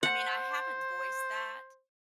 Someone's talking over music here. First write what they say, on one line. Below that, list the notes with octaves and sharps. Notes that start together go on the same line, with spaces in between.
I mean, I haven't voiced that,
C5 F#5